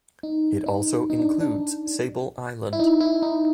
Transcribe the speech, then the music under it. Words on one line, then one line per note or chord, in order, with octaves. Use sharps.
It also includes Sable Island.
D#4
D#4
D#4
D4
D4
E4
D#4
E4
D#4